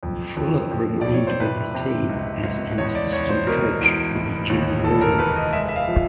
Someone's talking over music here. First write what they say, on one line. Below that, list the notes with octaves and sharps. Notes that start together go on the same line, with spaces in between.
Fuller remained with the team as an assistant coach under Jim Gorman.
F2
F2
F2
D5
F2
C#5
C5
C3 B4
C3
C#2
C#2
E2 C#5
D5
E2 C#5
C5
B2 A#4
E2
F1
D#2
F1 A4
A#4
F1 B4
D#5
G#3 E5
E5
F5
F3